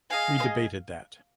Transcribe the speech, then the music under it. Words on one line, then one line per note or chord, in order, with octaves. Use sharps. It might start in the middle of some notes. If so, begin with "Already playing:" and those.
We debated that.
G#4 D#5 F5 G#5
G#4 C5 D#5 G#5